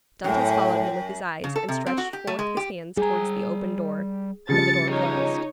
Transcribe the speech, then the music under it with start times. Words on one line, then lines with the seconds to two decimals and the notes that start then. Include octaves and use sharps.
Dantes followed him with his eyes, and stretched forth his hands towards the open door; but the door closed.
0.24 F#2 A2 G5
1.44 C#3
1.56 A4
1.68 C3
1.86 C4
1.98 F#4
2.13 G4
2.27 A3
2.39 G#3
2.57 G4
2.97 G3 G#4 A#5
4.49 C#3 F3 G3 A6 C#7
4.90 D#4 F4 G#4 C#5